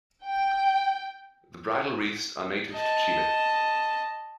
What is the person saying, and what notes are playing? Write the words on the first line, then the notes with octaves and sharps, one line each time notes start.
The bridal wreaths are native to Chile.
G5
D#5 A5